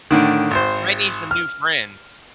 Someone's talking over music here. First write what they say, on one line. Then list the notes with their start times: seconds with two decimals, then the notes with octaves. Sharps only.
Might need some new friends.
0.11 A2 D3 D#3
0.51 G#1 C5
1.31 F6